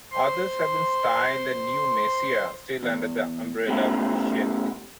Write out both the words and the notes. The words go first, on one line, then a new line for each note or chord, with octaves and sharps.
Others have been styled a new messiah still under the umbrella of Christianity.
C5 C6
E2
B2 G3 A3 B3 C#4 E4